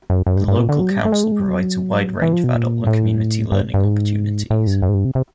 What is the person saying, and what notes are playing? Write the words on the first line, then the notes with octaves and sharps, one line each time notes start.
The local Council provides a wide range of adult and community learning opportunities.
F#2
F#2
G2
G2
A#2
D3
F#3
G3
A3
G#3
A3
G#3
G3
F#3
E3
F3
B2
A#2
A2
G2
G2
G#2
A2
G2
F#2
G#2
G2
C3
C3